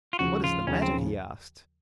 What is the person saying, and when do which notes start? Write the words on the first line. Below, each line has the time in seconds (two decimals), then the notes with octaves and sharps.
"What is the matter?" he asked.
0.13 F4
0.19 D#2 C#3 F3 F#4
0.44 F4
0.67 D#2 C#3 F3 C#4
0.82 C4